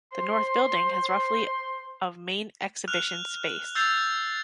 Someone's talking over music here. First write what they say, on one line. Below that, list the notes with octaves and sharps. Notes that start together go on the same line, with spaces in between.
The North Building has roughly of main exhibition space.
C5 C6
F6 F#6 F7
E6 G6 A6 C7 F7